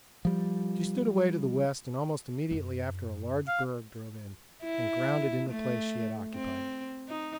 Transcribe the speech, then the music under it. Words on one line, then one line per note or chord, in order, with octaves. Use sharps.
She stood away to the west, and almost immediately after a large berg drove in and grounded in the place she had occupied.
F3 G3
F#2
F5
E4
A3
C4
D#4